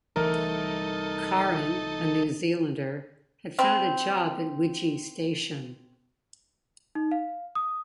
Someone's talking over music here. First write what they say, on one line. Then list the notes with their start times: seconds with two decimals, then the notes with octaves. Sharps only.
Carron, a New Zealander, had found a job at Wydgee Station.
0.16 C2 E3 A3 D#4 A4 A#4
3.59 G3 C4
6.95 D#4
7.11 F5
7.55 D#6